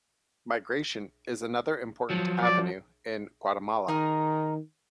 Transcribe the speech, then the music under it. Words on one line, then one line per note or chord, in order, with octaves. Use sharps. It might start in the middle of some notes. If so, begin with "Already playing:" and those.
Migration is another important avenue in Guatemala.
F3 F#3
D5
D#3 D#4 G#4 A#4